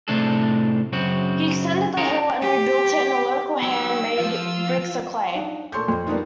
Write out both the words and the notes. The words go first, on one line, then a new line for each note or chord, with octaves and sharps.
He extended the Hall and rebuilt it in local hand made bricks of clay.
A2 C3 A3 D4 G#4 A4
F#2 C#3 C4 F#4
C#4 G#4 A#4 C#5 G5 A#5
G4
F#3 D#4 G4 E6
F3 F4 F5
D4 D#4
A#2 A4 C6 C#6 G6
F2 C6
G3 A#3 B3 D4 D#4 F4